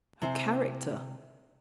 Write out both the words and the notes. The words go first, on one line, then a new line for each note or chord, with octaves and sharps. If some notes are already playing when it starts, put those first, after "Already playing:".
'Her character!
C3 E4 C5 G#5